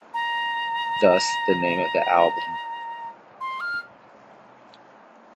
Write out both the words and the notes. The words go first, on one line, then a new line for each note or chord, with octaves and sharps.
Thus, the name of the album.
A#5
C6
F6